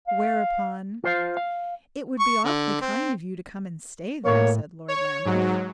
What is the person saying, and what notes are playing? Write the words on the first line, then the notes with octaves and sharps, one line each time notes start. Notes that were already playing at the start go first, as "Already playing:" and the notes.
Whereupon--"It would be awfully kind of you to come and stay there," said Lord Lambeth.
F5
F4 C5 F5
F5
C#6
D3
C4
A2 A#3 C#5
C#5
G#2 F#3